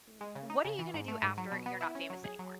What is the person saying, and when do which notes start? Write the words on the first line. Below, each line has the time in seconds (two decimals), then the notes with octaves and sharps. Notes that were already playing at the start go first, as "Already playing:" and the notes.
W what are you gonna do after you're not famous anymore?
0.21 G#3
0.35 C#3
0.50 D#4
0.64 C#3
0.79 E3
0.94 G#2
1.08 A3
1.22 G#2
1.37 F#3
1.52 B2
1.66 B3
1.81 E4
1.95 C#4
2.10 F#3
2.24 G#4
2.39 F#3